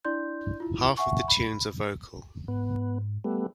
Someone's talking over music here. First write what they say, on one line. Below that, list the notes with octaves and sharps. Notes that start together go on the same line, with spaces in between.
Half of the tunes are vocal.
D4 E4 D5 C6 G6
E4 F4
E5 F#5 G#5 C#6
B5
G#2 B3
G3 A3 B3